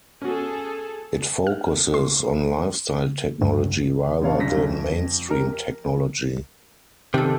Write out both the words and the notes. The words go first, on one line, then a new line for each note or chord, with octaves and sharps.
It focuses on lifestyle technology rather than mainstream technology.
C#4 F#4 G#4 A4
F6
C6
G2
A#1 C3 B4 C#5 F5 A5
G1 F#2 C#3 A#6 B6
F2
G4 A#4
C3 D#3 D4 G4 A4